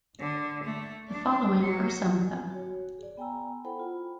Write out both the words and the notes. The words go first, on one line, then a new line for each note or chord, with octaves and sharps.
The following are some of them.
D3
A3
D4
F#3
G#5
F#4 C#5
G#4 D5
B3 G5 G#5 A#5 E6
E4 A4 C5 F#5 G5 B5
F4